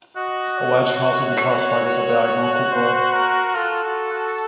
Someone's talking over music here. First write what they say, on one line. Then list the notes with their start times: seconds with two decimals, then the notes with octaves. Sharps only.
A wedge can also be classified as a digonal cupola.
0.16 F#4 D#5
0.58 C#5
1.85 F#4
2.71 C5
3.13 A#4
3.55 F4 A4
3.84 F#4
4.13 F#4